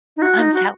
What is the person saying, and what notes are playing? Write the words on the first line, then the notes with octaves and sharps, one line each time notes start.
I'm so
D#4
F#4
D#4
F#4